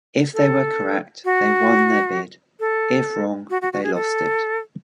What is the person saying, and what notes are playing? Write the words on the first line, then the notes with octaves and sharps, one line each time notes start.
If they were correct, they won their bid; if wrong, they lost it.
A4
F#4
A4
F#4
F#4
F#4
G#4
A4